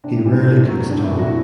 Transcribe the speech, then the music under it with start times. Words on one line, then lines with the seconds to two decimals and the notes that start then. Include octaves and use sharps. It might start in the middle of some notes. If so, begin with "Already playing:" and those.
He rarely cooks at home.
0.04 C3 D4
0.25 E3 G3 C4
0.47 B2
0.68 F#3 B3
0.89 E2 D4
1.04 E4
1.11 B2 A3 C4
1.18 F#4